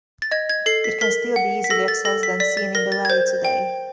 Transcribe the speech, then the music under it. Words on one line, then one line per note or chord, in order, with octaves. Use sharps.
It can still be easily accessed and seen in the valley today.
A6
D#5 G#6
G#6
A4 C7
B6
A#4 B6
F#5
B6
A4 A#6
A6
A4 A#6
B6
D5 B6
A6
A#4 A#6
A6
G#6
C5 G6
G5